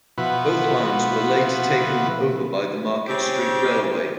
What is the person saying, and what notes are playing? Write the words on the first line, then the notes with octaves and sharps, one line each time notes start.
Both lines were later taken over by the Market Street Railway.
B2 F3 E4 F#4 B4
C#3 C4 G4